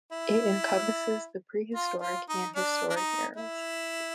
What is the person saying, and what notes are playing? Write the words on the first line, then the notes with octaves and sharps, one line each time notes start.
It encompasses the pre-historic and historic eras.
E4
F4
F4
D#4
D4
D4
D#4
E4